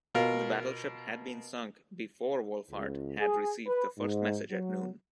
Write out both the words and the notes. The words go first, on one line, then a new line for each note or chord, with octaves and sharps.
The battleship had been sunk before Wohlfahrt had received the first message at noon.
B2 F4 A#4
C#2
G#4
B4
G#2
F#3